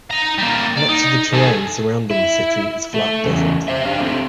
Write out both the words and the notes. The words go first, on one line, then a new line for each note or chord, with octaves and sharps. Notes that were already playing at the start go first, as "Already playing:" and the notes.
Much of the terrain surrounding the city is flat desert.
D#4 A#5
G3 A#3
D5
D#4
A3 G#4
E4
A3
E2 C#3
C5 E5
D4 G4 F5
A3 C4 G4